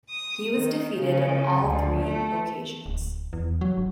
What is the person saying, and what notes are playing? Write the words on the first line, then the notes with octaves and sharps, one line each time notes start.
He was defeated on all three occasions.
D#6
D#3
C#3
D2
A3
D1
E2
F#3
G1